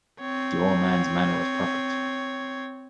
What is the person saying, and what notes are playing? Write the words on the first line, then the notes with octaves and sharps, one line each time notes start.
The old man’s manner was perfect.
C4 C#5